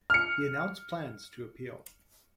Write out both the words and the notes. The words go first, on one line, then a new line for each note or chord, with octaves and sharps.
He announced plans to appeal.
F6 C#7